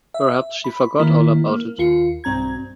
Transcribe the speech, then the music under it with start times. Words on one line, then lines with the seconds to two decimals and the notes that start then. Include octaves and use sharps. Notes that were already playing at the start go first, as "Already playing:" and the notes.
Perhaps she forgot all about it.
0.14 E5
0.64 B5
0.99 D#3 A#3 E4
1.46 A#3
1.78 D#2 F4 C#7
2.24 B1 G2 C4 A#5 G#6